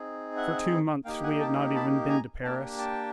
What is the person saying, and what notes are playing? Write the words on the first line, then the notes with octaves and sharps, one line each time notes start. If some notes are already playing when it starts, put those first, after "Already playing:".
For two months we had not even been to Paris.
Already playing: C4 D#4 G#4
E5 F#5
A#3 D#4 G4 F5 G5
F#5 G#5
G5 A5
A5 B5
G#5 A#5
A#3 D4 G4 G5 A5
G5 A5